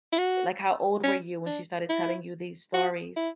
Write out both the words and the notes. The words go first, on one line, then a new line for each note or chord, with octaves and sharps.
Uh, like, how old were you when she started telling you these stories?
E4
F#4
C#4
D4
E4
F#4
E4